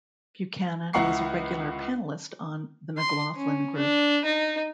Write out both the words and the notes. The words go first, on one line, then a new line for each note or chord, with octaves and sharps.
Buchanan was a regular panelist on "The McLaughlin Group".
C#2 E4 F#5 A#5 C#6 C7
C6
C#4
D4
D#4